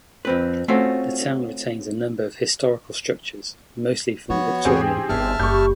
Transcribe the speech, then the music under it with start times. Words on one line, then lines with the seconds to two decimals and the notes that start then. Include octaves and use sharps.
The town retains a number of historical structures, mostly from the Victorian era.
0.25 F2 C4 B4
0.68 A3 C4 C#4 F4 F#4
4.30 F3 B3 F#4 C#5
4.65 E2 G#2 C4 G4 G#4
5.09 G1 D#3 E5 A5 F6
5.40 F#1 G3 C#6 G6